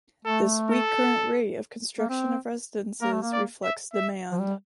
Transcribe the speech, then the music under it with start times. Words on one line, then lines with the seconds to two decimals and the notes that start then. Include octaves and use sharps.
This weak current rate of construction of residences reflects demand.
0.25 A3 A4
0.71 A4
1.99 A#3
2.09 C4
3.02 A#3 A#4
3.11 A3
3.22 A#3
3.33 D5
3.63 E5
3.94 E5
4.32 F3
4.40 G3